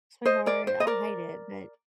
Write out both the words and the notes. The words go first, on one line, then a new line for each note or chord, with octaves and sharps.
Sweetheart, I hate it, but
C5 D#5
A#4 D5
C5
D#5
A#4 D5